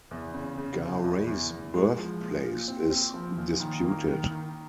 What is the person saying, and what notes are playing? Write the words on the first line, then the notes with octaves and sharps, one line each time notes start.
Garay's birthplace is disputed.
E2
C#3
C#3
E2
E2
E2
E2
G#3
F3
A#2
A#2
C4
C4
F3
A#2
D#3
A#3
D#3
D#3